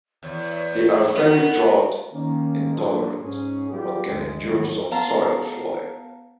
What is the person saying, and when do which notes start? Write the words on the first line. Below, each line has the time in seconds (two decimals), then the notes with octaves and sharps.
They are very drought intolerant, but can endure some soil flooding.
0.23 E2 C#5
1.17 B3 F#4
2.13 D#3 A#3 C#4
2.75 A#2 F#3 D4 A4 C5
3.22 G#2 C#4 G#4
3.70 F#3 G3 B3 F4 G4
4.07 D2 G2 G#3
4.45 A#1 E2 G#2 D#3 F#3 E4
4.92 B3 F5 A5 A#5